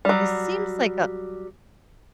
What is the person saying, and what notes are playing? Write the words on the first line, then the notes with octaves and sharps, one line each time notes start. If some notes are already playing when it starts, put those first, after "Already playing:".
It seems like a
F#3 G3